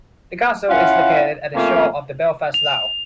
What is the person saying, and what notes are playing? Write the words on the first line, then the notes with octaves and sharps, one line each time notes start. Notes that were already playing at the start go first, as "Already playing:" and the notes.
The castle is located at the shore of the Belfast Lough.
C#4 E4 F4 F5 F#5
F3 A3 A#3 C4 C#4 F5
F7